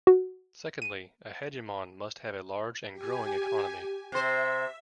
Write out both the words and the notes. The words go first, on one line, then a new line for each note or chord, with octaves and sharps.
Secondly, a hegemon must have a large and growing economy.
F#4
D#7
G4 G#5
C3 C5 E5